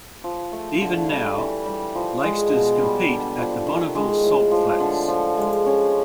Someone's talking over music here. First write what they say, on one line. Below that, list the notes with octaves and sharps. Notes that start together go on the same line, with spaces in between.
Even now, lakesters compete at the Bonneville Salt Flats.
F3
A3
D3
G3
E3
G3
F3
G#3
B2
G3
D3
F3
D#3
G#3
A2
F3
D3
F3
G#3
C#4